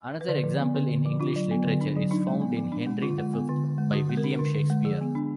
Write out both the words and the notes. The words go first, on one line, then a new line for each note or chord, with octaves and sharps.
Another example in English literature is found in "Henry the Fifth" by William Shakespeare.
B4
D3 D5
F3
B3
D3
D3
F3
D4 F4
F#3
B3
D3
D4
F#3
D4 D#4
G#3
B3
F3
D4
G#3
D3 F4
G#3
B3
D3
D3
G#3
D3 F#4
G#3
A#4
D4
D3
D3
G#3
F3 G#4
B3
D4